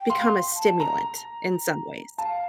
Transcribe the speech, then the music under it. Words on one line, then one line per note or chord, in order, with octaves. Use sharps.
become a stimulant in some ways.
G5
F5 C6
A5
A#5
F5 A5